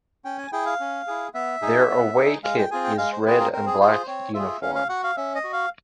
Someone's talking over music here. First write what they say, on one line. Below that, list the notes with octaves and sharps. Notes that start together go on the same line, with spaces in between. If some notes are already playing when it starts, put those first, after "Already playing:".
Their away kit is red and black uniform.
C#4 G5
G#5
E4 G#4 G5
F5
C#4
E4 G#4
B3 E5
D#4 G#4
B3
D#4 G#4
G#3 F5
G5
C4 F4 G#4 G#5
G5
G#3 F5
C5
C4 F4 G#4 B4
A#4
C4 A#4
G#4
F4 G#4 C5
C5
C4 C#5
F4 G#4 E5
C#4 F5
F5
F#4 F#5
F5
C#4 E5
D#5
F#4
F5